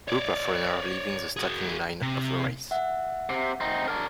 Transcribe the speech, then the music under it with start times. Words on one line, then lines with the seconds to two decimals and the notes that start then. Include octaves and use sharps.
Group of runners leaving the starting line of a race.
0.08 C#5 D5
1.36 F#4 G#4
2.02 C3
2.71 E5 F#5
3.30 C3
3.61 C4 D#4
3.88 D4 A#4